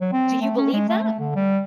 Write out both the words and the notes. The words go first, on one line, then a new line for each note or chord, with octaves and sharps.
Do you believe that?
F#3
C4
A3
C#4
G#3
A3
A3
D3
G3